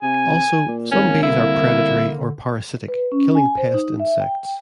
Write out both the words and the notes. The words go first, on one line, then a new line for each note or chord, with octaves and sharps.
Also, some bees are predatory or parasitic, killing pest insects.
C3 G#5
A#2
G#1 A#3 C#4
C2 D3 E4
B4
C#4
G#5
C5
D#4
E5
G5